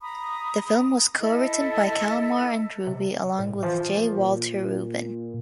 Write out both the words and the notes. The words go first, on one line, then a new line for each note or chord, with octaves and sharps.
The film was co-written by Kalmar and Ruby along with J. Walter Ruben.
A#5 B5 D#6
E4 A4 D#5
C3
A2
E3 F3
A#2